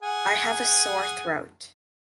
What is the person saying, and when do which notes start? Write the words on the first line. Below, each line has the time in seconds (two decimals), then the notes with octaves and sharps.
I have a sore throat.
0.03 G#4 F#5 G#5